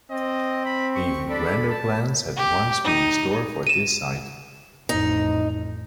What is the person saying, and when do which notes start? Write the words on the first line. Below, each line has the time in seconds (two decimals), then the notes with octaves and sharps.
Even grander plans had once been in store for this site.
0.11 C4 D#5
0.65 B5
0.95 C#6
1.29 D4 A4 D5 B5
1.70 A5
2.36 G4
2.84 D#4
3.67 D#7 E7
4.89 A1 F2 D#4